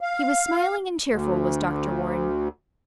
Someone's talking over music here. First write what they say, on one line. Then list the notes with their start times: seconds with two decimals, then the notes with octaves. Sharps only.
He was smiling and cheerful, was Dr. Warren.
0.01 F5
1.08 D2